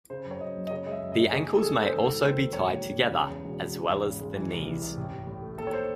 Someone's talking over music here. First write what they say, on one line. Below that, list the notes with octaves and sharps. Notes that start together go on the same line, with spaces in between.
The ankles may also be tied together, as well as the knees.
C#3 C5
F#2
C#5
F#2 D#5
F#1
D#5
C#3 C#5
G#3 D#5
E5
F#2
G#3 D#5
D#2 G#4
C#3
A4
C#3 G#4
G#3 C5
D#3 A4
E1
D#2 C5
D#3
E1 C#5
D#2
E1
C#3
C#3
E2
E1
E2
C#3
G#1
C#3
G#3
E3
C2
E3
C2
A1
A1
A2
A3
D#2 A4
C#5
C5